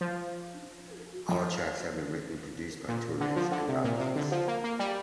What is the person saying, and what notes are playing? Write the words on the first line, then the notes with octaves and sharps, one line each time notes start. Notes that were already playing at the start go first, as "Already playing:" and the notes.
All tracks have been written and produced by Torres and Rob Ellis.
F3
F3
A#2
D3
F3
D3
C3
A#2
C3
D3
F3
A#3
A#3
G3